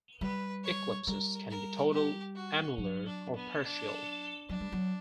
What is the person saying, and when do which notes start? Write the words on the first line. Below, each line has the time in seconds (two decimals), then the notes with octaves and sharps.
Eclipses can be total, annular, or partial.
0.21 G3 B4
0.64 C#5
1.06 G3 A#4
1.50 A#4
1.92 G4
2.35 F#4
2.78 F#3
3.07 D4
3.35 B3
3.63 D4
4.49 F#3 D4
4.61 G3
4.72 F#3